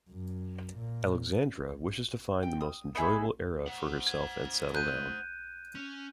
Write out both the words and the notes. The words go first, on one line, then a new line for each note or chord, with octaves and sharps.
Alexandra wishes to find the most enjoyable era for herself and settle down.
F#2
A#2
G5
D#6
B3 D#4 E4 G#4
C5 F#5
G#6
F#6 G6 D#7
C#4